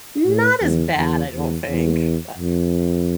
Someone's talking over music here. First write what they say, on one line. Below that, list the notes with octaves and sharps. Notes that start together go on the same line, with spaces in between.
Not as bad, I don't think, but
A2
E2
E2
E2
E2
F2